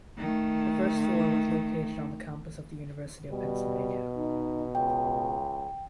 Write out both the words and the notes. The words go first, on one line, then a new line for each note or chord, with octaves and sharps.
The first store was located on the campus of the University of Pennsylvania.
D#3 A3
B2 G3
D#4
C#2 G5